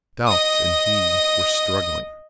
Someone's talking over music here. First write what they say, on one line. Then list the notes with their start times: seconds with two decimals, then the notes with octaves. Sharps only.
Doubts and he were struggling.
0.28 D#5 D#6